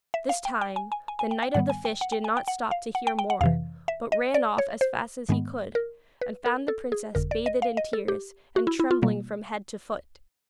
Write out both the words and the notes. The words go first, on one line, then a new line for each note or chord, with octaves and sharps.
This time the Knight of the Fish did not stop to hear more, but ran off as fast as he could, and found the princess bathed in tears, and trembling from head to foot.
E5
F5
G5
G5
G#5
G#5
G#5
G#5
G5
G5
G#2 D#3 G3 B3 F#5
G#5
G5
F#5
G5
G#5
G5
F#5
F5
F#5
G5
G5
F#5
F2 C3 E3 F5
E5
D#5
D5
C#5
C5
G#2 D#3 G#3 B3
A#4
B4
A#4
A4
G#4
G1 F2 D3 A#4
D5
D#5
F5
D#5
A4
G4
F#4
E4
E4
F4
B2 G3 A#3